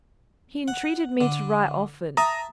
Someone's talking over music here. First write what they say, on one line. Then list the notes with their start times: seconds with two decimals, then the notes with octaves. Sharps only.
He entreated me to write often.
0.68 F#5
1.21 D3
2.17 E5 A5 A#5 D#6